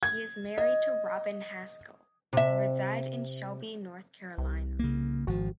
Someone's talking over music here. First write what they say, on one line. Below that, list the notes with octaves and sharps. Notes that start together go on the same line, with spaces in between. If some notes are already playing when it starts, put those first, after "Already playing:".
He is married to Robin Haskell, they reside in Shelby, North Carolina.
G#6
D#5
C3 E5
C2
C#3 A#3
G#1 F3 F#4